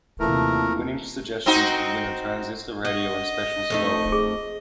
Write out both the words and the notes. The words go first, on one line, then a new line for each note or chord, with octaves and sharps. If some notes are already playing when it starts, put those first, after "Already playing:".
Winning suggestions would win a transistor radio and special scroll.
D#2 C3 E3 F3 A3 A#4
C4 D#4 F#4
F#4 D#5
F2 A3 D#4
G#4